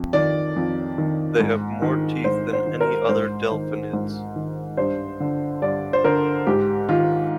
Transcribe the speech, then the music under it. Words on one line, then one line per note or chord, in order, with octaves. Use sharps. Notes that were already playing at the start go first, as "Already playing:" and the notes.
They have more teeth than any other delphinids.
Already playing: F2
D#3 D5
F2
D#3
G#2
D#3
G#2 C5
C5
D#3
A#4
G#2 C5
D#3
G#2
D#3
G2 C5
D3
G2 D5
C5
D3 A#4
G#2 G4
D#3 F4